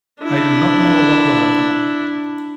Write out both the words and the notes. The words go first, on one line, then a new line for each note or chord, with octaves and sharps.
I do not know what will happen.
D4 E4